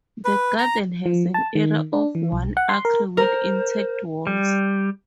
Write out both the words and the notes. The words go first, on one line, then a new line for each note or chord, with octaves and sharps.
The garden has an area of one acre with intact walls.
B4
A#5
F3
A5
D#3
D4
E3
B1
F#5
C6
A#4
A#4 C5
G3